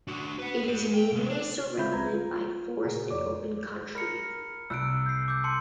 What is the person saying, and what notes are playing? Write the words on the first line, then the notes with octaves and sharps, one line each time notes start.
It is mainly surrounded by forest and open country.
D4 F#4
B4 F#5
G#4 C5
G5
C3 G#3
D4
C#3 C4 F4 E5 B5 G6
C#2 B4 A#5 G#6
F4
A#2 C#3 F#4 G#4 A#4
F2 C#5 D5 D6
A#4 B5 F6 C#7
C2 E6 F#6 D7
G6 C7
D6 E6 G6
A5 C6 C#7